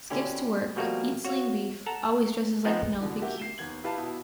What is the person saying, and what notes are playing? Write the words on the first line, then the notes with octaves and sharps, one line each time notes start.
Skips to work, eats lean beef, always dresses like Penelope Keith.
B2 D3 C#4 E4 G4
B2 F3 G3 A3 A#3 F#4
F#4 C#5 F5
A4 F#5 A5 A#5
F3 G#3 B3 C4 D#4
B2 D3 E3
A#3 F#4 G4 E5
C7 E7 G7
D#2 B3 G#6 F#7
E4 G4 B4 F5 A5
B2 E4